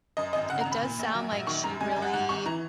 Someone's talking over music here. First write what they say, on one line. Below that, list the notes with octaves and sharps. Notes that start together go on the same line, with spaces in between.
it does sound like she really
F#2 D#5
G#1 D#5
C#3 F#5
A#5
G#1
B5
A#2
A#1
F#3
A#1
D#3 C#6
F#2 A#5
G#3 G#5
G#5
F#2
F#5
G#2 F#5
G#1 C#6
E3 A#5